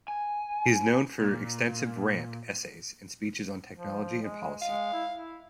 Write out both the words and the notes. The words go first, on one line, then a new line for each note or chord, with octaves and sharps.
He is known for extensive "rant" essays and speeches on technology and policy.
G#5
A#2
F3
G#3
G#3 F5
E4
E4